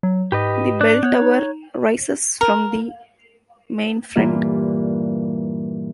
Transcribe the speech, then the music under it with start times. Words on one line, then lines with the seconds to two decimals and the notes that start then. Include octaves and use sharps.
The bell tower rises from the main front.
0.03 F#3
0.32 G#2 G4 B4 D#5
0.81 D4 D5 F#6
1.03 B3 C#5 F#6 G6
1.22 D#4
2.41 A#4
4.15 G2 A#2 E3 A#3 F4